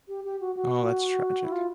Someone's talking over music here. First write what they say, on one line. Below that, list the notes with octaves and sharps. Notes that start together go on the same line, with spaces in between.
Oh, that's tragic.
G4
G4
F#4
F#4
E4
F4